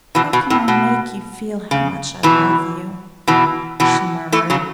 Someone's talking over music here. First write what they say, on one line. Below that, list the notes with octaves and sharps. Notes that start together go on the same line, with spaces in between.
'How can I make you feel how much I love you?' she murmured.
B2 E3
B2
A2
B2
C#3
B2 E3
B2 E3
B2 E3
E3 A3
C#3 F#3